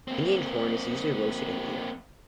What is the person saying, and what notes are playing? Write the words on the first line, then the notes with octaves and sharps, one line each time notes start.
Indian corn is usually roasted in the ear.
A#3 C4